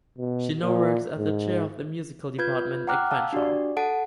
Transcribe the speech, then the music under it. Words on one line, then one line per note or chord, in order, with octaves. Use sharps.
She now works as the Chair of the Musical Department at Crenshaw.
B2
A#2
G#2
F4 B4 G6 G#6
F#5 G5 A#5 D6 F6 F#6
F5 A5 E6
D4 F#4 G4 D5
A4 F#5 A5 D7